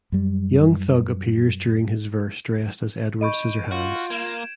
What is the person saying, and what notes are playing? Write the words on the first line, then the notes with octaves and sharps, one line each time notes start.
Young Thug appears during his verse dressed as "Edward Scissorhands".
F#2 G3
D#5 B5 C#6 G6 D7 D#7
F4 F#4
A#3 G#6 E7